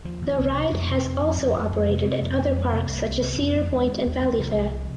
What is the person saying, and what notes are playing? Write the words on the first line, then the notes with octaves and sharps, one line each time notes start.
The ride has also operated at other parks such as Cedar Point and Valleyfair.
D#2 F3
D#2
C2
C3
F2 G#3
A#3
C3
C4
F2
F2
F2
F3
F2 G#3
F2 A#3
C3 A#3
C3 C4
F2 A#3
F2 A#3
F2 G#3
C3 A#3
C2
C2
C3
F2 C4
C4
F2
A#3
D#2 G#3
D#2
D#2
D#2
C2 F3
C2
C3